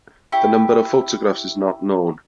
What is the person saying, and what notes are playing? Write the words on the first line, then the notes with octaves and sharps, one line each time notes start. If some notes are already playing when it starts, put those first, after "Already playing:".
The number of photographs is not known.
E4 G4 C#6